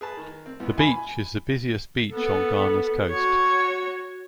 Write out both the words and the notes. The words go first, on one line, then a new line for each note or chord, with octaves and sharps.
The beach is the busiest beach on Ghana's coast.
G#4 B4 A5
D#3
C4
C#2 E3 B3
G#5 B5
B3 A4
F#4 C#5